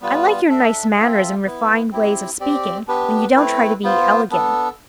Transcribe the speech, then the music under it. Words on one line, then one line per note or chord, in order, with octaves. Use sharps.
I like your nice manners and refined ways of speaking, when you don't try to be elegant.
G3 B3 F4 B4
D4 A4 E5
C4 F4 A4 E5
B3 E4 B4
C4 E4 G4
C4 G4 D5
B3 D4 G4 B4
A3 C4 E4 B4
B3 F4 C5
B3 D4 A4